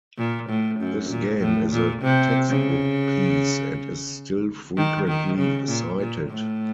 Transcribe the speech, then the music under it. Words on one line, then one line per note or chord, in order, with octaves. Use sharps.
This game is a textbook piece and is still frequently cited.
A#2
A2
F#2
A#2
A2
A#2
C3
C#3
D#3
D#3
C#3
A#2
A#2
A2